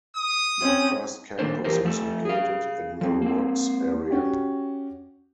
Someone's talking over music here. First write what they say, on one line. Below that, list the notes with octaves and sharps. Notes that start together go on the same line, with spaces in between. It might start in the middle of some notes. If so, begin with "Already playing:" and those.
The first campus was located in The Rocks area.
D#6
C4 C#4
D#3 A#3 D4 C5
E3 F3 G4 A#4 C5
F3 A3 A4
G#4 F5
F3 C4
A#3 C4
C#4 F#4 G4